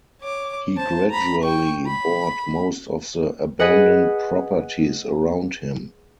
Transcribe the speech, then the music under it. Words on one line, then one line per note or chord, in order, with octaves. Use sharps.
He gradually bought most of the abandoned properties around him.
C#5 D6
C5 A5
A#5 B5
G5 C#6
B5
G#4 B4 D#5 F#5